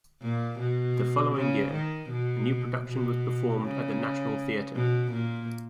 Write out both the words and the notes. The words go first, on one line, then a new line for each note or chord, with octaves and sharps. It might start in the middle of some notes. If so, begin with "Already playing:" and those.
The following year, a new production was performed at the National Theatre.
A#2
B2
C#3
D#3
B2
B2
C#3
B2
A#2